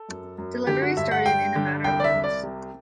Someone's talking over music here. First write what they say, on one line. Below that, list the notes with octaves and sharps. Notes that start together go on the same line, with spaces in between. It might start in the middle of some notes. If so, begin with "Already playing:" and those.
Deliveries started in a matter of months.
Already playing: A4
F#2
F#2
D3 G4
F#4
G2 E5
F#5
G2 G5
D3
C2 G5
D5
E5
C2
D5
C3